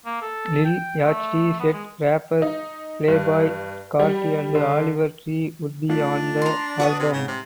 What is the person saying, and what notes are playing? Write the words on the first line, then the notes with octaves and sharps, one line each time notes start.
Lil Yachty said rappers Playboi Carti and Oliver Tree would be on the album.
A#3
A4
G5
A3
B3
G#3
D#4
G2
G3
D3
A3 D4 D#4 F4
A#5 C6
F#4 B4 F#5 C#6 D#6
C3
G#2 C#3
C3